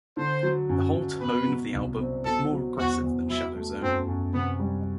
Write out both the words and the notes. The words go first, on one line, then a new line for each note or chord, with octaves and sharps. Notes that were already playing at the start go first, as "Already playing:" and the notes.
The whole tone of the album is more aggressive than "Shadow Zone".
D3 C5
F#3
F#2
F#2
B2 B4
F#3
C2
C4
B2 A4
F#3
E2 F#4
E2
F#3 E4
A3
F#2 C4
F#2
C3 B3
G3